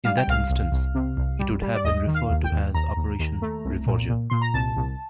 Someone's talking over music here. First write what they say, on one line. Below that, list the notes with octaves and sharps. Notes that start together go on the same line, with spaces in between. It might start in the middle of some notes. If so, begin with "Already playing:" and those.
In that instance, it would have been referred to as Operation Reforger.
G3 F5
G5
C2 F5
C2
C2
C3
C2
G3
G3
D5
D#2 D#5
D#3
F5
D#2
G5
D#2
D#2 A#5
D#2
D#2
A3
C2
A#2
A#2
A#2 C6
A#5
C2 A5
C2